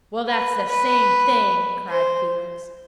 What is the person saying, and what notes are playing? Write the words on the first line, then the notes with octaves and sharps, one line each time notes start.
"Well, that's the same thing," cried Felix.
B4
B4
C5